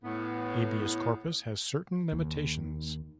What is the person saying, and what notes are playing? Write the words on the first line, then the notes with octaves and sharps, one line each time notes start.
"Habeas corpus" has certain limitations.
A2 B3
D#2